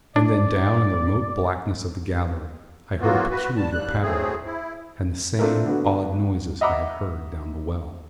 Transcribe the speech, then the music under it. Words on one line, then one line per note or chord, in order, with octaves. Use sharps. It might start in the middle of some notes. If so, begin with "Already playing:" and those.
And then down in the remote blackness of the gallery I heard a peculiar pattering, and the same odd noises I had heard down the well.
D4 D5
E3 F#3 A#3 B3 F4 F#4
F#4 B4
G3 A5
D#2 G3 F#6
D2 A2 A3 C4 G#4
E4
A3 C4 D4 F4 A4 A#4
D3 B3 F#4
D#5 E5 F#5 A#5 B5 D6